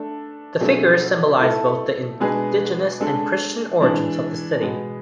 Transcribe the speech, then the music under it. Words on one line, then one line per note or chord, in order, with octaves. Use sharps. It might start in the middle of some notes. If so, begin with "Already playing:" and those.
The figures symbolize both the indigenous and Christian origins of this city.
Already playing: A3 D4 A4
B2 F#3 A3 D4 G#4
A3 E4 A4
B2 G#3 D4 G#4 B4
G#3 D4 A4
E3 G#3 D4
B2 G#3 B3